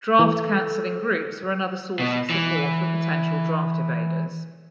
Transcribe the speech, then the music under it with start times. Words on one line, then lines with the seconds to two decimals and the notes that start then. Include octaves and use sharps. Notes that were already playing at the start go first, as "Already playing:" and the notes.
Draft counseling groups were another source of support for potential draft evaders.
0.19 E3 A4
1.99 B2
2.30 E3